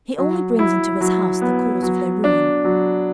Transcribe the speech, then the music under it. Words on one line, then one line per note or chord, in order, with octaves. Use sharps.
He only brings into his house the cause of their ruin.
F#3
E4
F#3
B3
F#3
D4
F#3